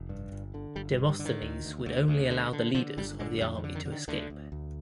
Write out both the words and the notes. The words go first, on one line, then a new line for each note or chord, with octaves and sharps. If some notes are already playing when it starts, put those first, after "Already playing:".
Demosthenes would only allow the leaders of the army to escape.
Already playing: F1
G2
G1
D3
G1 G3
G3
G2
G3
D3
D#3
D2
D2
D2
D2
D3
D3
D3 F3
G1 G3
D3 G#3
F2 G3
D#3
D3
D#3
D3
D#3
D2 D3
D2
D2